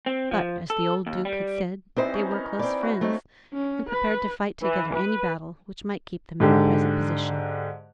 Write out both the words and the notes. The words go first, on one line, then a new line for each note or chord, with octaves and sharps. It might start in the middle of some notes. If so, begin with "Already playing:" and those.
But, as the old Duke had said, they were close friends, and prepared to fight together any battle which might keep them in their present position.
C4
F3
A4
D#2
G3
E3 G3 C4 D#4 C5
C#4
A#4
C4 D5 B5
F#4
A3 C4 D#4
C#4
B4
E3
B4
G#2 D3 G4